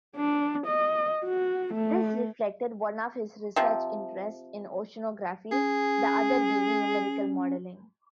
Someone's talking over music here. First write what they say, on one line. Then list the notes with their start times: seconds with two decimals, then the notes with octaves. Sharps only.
This reflected one of his research interests in oceanography, the other being numerical modelling.
0.16 D4
0.67 D#5
1.25 F#4
1.74 A3
3.56 C3 F3
5.52 C#4 G#4